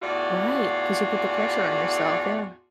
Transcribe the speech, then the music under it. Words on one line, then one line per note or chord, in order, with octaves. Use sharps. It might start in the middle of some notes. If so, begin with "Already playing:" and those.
Right, 'cause you put the pressure on yourself, yeah.
E2 A2 F4 F#4 D5